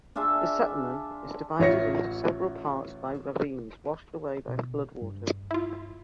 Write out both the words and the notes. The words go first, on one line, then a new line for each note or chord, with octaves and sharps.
The settlement is divided into several parts by ravines washed away by flood waters.
D4 F4 G#4 E5
A1 F4 C#5 E5 A#6 C#7
B2
G2
E4 F4